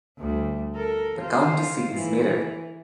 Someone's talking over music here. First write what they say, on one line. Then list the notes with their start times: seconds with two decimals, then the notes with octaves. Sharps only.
The county seat is Metter.
0.19 D2 G3
0.75 A4 A#4
1.20 F4 C5
1.94 E3